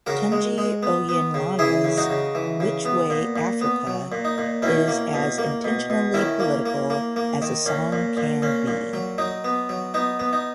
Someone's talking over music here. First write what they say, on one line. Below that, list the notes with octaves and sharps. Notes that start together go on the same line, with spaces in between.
Tunji Oyelana's Which Way Africa is as intentionally political as a song can be.
C#3 F#4 A#4
G#3
G#3
B3
B3
C#3
E3 E4 G#4
C#3
D#4 F#4
C#3
E3
C#3
B3
A#2
A#2
B3
F#3
A#2
D#4
A#2
B2 C#4 E4
A#3
B2
A#3
B2
B2
D#3 C#4 E4
A#3
A#3
A#3
A#3
D#3
A#2 C#4
A#2
A#2
A#2 C#4
A#2
F#3
F#3 D#4
B3
F#3
B3 D#4
B3
D#4